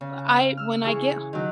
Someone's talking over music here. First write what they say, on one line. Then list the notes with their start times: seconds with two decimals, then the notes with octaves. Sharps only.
I when I get h
0.01 C#3
0.57 E6 F6
0.83 E3 E4 G#4 C#6
1.33 D#3 F#3